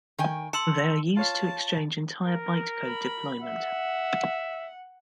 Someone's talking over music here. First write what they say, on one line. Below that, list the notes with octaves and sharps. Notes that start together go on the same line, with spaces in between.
They are used to exchange entire byte-code deployment.
D#3 G5 G#5
A5 C6 E6 C#7
F4 C#5 F5 A5
A#4
B5
E5 F#5